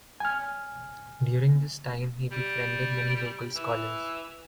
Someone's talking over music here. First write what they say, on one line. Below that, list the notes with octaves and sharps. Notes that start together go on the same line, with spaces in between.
During this time he befriended many local scholars.
G#5 F6
G3
E3